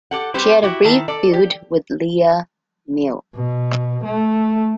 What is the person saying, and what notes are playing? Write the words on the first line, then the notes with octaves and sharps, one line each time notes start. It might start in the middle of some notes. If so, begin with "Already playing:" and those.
She had a brief feud with Leia Meow.
G4 A4 F#5
G3 C4 G4 B4 C5
E4 F#4 G4
D#3 E4 A5
A4 D5
G4
B2
A3